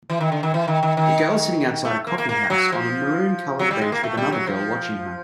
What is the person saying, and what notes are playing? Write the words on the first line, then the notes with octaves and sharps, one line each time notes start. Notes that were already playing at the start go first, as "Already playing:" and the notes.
A girl sitting outside a coffee house on a maroon colored bench with another girl watching her.
E3
D#3
D3
D#3
E3
D#3
D#3
D#3
A3
A#3
A#3
A#3
F#3
F3
F#3
G3
G#3
A#3
A3
G3
F#3
F3